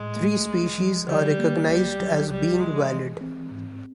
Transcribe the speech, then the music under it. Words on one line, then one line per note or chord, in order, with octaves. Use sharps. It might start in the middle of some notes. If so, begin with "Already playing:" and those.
Three species are recognized as being valid.
Already playing: A2 G#3
A3
C2
F3
D3 G3
A#3
C2 G3
F#3
C2 G3
F3 G#3
E3
C4
G#2